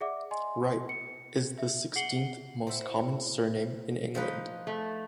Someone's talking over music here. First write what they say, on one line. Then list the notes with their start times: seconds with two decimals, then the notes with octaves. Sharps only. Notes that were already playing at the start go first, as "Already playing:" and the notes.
"Wright" is the sixteenth most common surname in England.
0.01 G#4 D5 E5 F#5 D6
0.31 D#5 G#5 C6
0.89 C#7
1.58 E5
1.95 G#4 F#5 C7 C#7 F#7 G7
2.67 E4 F#4 C5
4.15 F3 D#4 B4
4.67 A3